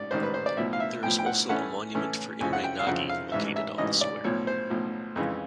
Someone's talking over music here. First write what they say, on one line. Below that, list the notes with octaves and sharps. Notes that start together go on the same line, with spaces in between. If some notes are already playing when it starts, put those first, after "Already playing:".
There is also a monument for Imre Nagy located on the square.
Already playing: A1 G#2 D5
A1 G#2 D#3 C5
B4
C5
D5
B1 A2 F3 E5
F5
E5
B1 A2 F3 G5
G5
F#5
A2 E3 A3 C#4 F#5
A2 E3 A3 C#4
F2 C#3 F3 G#5
F#5
G5
F5
F2 C#3 F3 F#5
F5
A1 G#2 E3 E5
E5
A1 G#2 E3 D#5
D5
B1 A2 F3 C#5
C5
B1 A2 F3
F2 C#3 E3 G#3